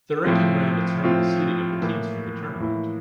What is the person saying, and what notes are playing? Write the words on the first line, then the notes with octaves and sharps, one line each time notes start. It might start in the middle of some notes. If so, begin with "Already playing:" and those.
The ranking round determined the seeding of the teams for the tournament.
A2 F3 C4 F4
A2 F3 C4 F4
A2 E3 A#3 E4
A2 E3 A#3 E4